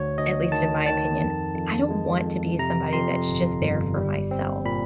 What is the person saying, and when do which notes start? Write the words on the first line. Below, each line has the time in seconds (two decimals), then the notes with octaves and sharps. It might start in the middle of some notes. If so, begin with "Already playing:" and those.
at least in my opinion, I don't want to be somebody that's just there for myself.
Already playing: D2 C#5
0.18 D2 D#5
0.52 D#3 A5
0.86 D#3 A5
1.22 F2
1.55 F2
1.90 G#3
2.24 F2
2.59 C3 A#5
2.93 F2 C6
3.28 G1
3.62 G1
3.97 G3
4.31 C4
4.65 A#2 B5